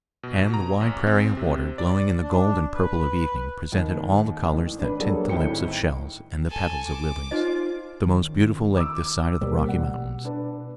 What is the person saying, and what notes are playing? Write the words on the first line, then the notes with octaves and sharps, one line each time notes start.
And the wide prairie of water glowing in the gold and purple of evening presented all the colors that tint the lips of shells and the petals of lilies--the most beautiful lake this side of the Rocky Mountains.
B2
A#5
A1
C4
C3
D5
D4
B4
D#2
A1
D4 B4
F#3 G3 A#3 D4 G#4 A4
G#1 A2 G5 C#7
A4 G#5
D6
D#4 F4 C5 D#5
D#3 F3 C#4
D6 E6
B2 G3 A#3
F#5
D4 B4